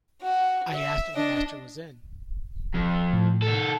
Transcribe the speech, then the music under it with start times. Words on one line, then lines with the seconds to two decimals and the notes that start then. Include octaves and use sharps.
I asked if the master was in?
0.22 F#4
0.74 E5
1.16 D4 D#5
2.74 F2
3.13 A2
3.42 D#3 A4